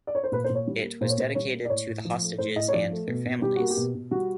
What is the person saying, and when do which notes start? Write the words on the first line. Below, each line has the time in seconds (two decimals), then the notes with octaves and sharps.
It was dedicated to the hostages and their families.
0.07 D5
0.15 C#5
0.24 C5
0.32 A#2 B4
0.44 C5
0.49 A#2
0.55 C#5
0.67 G3
0.84 A#3
1.01 A#2 C5
1.10 C#5
1.18 A#2 C5
1.35 G3 C#5
1.53 A#3
1.65 D5
1.70 A2 C#5
1.87 A2
2.05 F3
2.22 A3
2.38 A2 C5
2.56 A2 D#5
2.68 C#5
2.73 F3 D5
2.91 A3
3.07 B2
3.26 B2
3.42 G3 G4
3.56 A#3 F#4
3.70 G4
3.77 B2
3.94 B2
4.11 G3 F#4